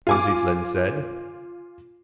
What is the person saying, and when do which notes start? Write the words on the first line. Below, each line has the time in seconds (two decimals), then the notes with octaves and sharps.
Nosey Flynn said.
0.07 F4 G#5 D6